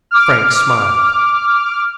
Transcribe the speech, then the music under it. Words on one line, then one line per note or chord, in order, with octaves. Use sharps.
Frank smiled.
D6 F6